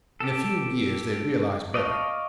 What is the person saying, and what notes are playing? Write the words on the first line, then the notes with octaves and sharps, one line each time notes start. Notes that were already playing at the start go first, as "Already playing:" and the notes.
In a few, years they realised better.
G4 A4
D5 D#5 F5 A5 C#6